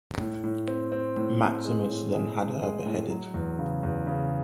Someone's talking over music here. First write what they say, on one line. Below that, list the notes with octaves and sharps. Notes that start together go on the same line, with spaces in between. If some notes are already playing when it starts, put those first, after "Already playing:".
Maximus then had her beheaded.
A2
A2
C4
C4
A2
C4
G#3
A2
G#3
G#3
G#3
A2
F#3
E2
C#3
E2
C#3